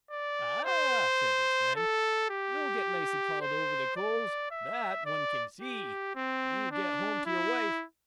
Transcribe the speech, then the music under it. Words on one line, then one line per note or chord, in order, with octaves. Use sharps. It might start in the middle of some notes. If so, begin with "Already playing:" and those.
'Ah!' said his friend, 'you'll get nicely called over the coals, that one can see, when you get home to your wife.
D5
C5
A4
G4
C5
D5
E5
D5
G4
C4
D4
E4